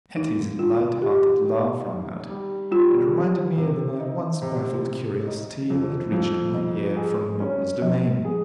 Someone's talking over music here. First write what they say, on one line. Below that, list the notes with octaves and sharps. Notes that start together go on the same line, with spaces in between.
Etty's light-hearted laugh rung out, and reminded me of my once baffled curiosity when it reached my ear from Norah's domain.
D#2 D#4
D#3 F4
D#3 G4
D#3
D#3
G3
G3 F4
D#3
C3
D#4
C3
C3
D#4
F2
F2 G3
D#4
G#4
C#4
D#3 F3
G#4